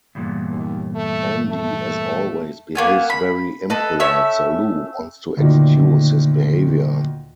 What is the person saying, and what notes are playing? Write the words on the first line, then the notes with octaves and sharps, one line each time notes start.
Andy, as always, behaves very impolite, so Lou wants to excuse his behaviour.
E2 G2 A#2
D#2
A3
A3
A#3 B3 G#5
B5
A4 B4 D#5
A3 C#4 E5 E6
D2 A#2 D#3